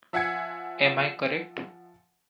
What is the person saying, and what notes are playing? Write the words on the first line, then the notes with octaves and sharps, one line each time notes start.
Am I correct?
F3 E5 F#5 G#5 G#6 C#7